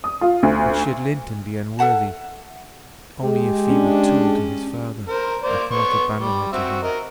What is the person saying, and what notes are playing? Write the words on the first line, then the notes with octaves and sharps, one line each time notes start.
But should Linton be unworthy--only a feeble tool to his father--I cannot abandon her to him!
D#6
F4
D2
A4 E5 F#5 A5
G#3 G4
C#4 D4
A#4 C5
A#3 C5 D5
B3 C6 C#6
G3
C4 F#4 E5
A#4 D#5